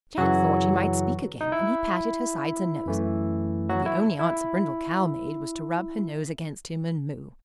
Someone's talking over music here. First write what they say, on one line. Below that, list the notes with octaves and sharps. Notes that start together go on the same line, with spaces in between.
Jack thought she might speak again and he patted her sides and nose, but the only answer Brindle Cow made was to rub her nose against him and moo.
F#2 C#3 E3 F#3 F#4
D#4
E4
F#2 E3 A3
F#3 F#4
E4
E4